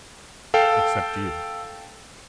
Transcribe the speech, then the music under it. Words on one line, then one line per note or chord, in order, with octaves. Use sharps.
"Except you."
A4 F5 G5